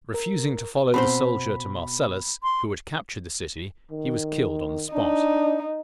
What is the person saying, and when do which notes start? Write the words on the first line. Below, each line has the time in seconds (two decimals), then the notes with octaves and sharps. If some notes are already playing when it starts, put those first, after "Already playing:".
Refusing to follow the soldier to Marcellus, who had captured the city, he was killed on the spot.
0.14 A#4
0.94 B2 C4 C5 B5
2.43 C6
3.91 D#3
4.93 D4 D#4